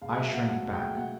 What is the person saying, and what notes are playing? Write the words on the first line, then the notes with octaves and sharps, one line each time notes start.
I shrank back.
C#2 F5
F#3 E5
B2 F#5
A3 F#5
C#2
G5
F#3
B2 F#5